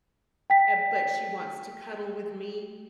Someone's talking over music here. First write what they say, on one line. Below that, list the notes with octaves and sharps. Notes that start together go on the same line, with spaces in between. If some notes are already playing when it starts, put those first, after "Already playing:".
Eh, but she wants to cuddle with me.
G5 B6